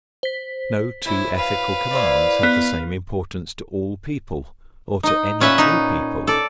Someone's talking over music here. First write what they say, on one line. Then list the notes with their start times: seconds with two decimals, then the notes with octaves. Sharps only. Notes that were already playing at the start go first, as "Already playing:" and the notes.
No two ethical commands have the same importance to all people or to any two people.
0.23 C5 B6
1.05 E3 F#3 E4
1.36 B4 F5
1.91 E4 C5 D5
2.43 B3
5.03 D#4 D#5
5.40 A#2 C#4 B4 E5 F#5
5.58 D#4
6.27 A4 D5